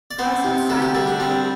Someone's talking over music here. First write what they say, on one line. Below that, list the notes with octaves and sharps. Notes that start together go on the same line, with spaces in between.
Russell signed the bill.
D5
B3 C5
C3
D2 A4
G4
G3 A4
D4
G3 C4